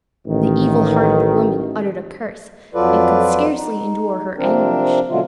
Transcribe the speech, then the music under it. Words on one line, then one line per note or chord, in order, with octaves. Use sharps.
The evil-hearted woman uttered a curse, and could scarcely endure her anguish.
A1 D#3
F2 F#3 F4 A4 B4 D5
D#4
C3 F3 C4 D4 A#4
B2 D3 F#3 G#3 A3 F4